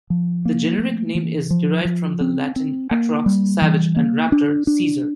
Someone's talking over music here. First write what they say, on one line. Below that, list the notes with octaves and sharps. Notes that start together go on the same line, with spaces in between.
The generic name is derived from the Latin "atrox", "savage", and "raptor", "seizer".
F3
A#3
A3
E3
F3
F3
C4
C4
A#3
G3
E3
A#3
D4
D4